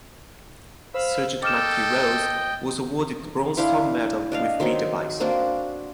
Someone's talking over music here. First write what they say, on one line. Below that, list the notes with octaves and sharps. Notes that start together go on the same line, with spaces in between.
Sergeant Matthew Rose was awarded the Bronze Star Medal with "V" Device.
C5 F5 B5 E6
A4 D#5 G5 D6 F6 E7
D4 E4 F5 C6
D4 D#5 F5
D#3 F#3 C4 D#4
A#3 C4 D4 F#4